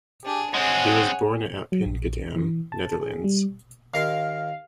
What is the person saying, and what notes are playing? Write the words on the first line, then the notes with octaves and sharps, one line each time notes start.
He was born in Appingedam, Netherlands.
D4 G4 G#4
G#3 C4 G#4 C#5 F#5
F#3
A#1
E3
A5
G#4
G3
D#2 A#4 F5 C6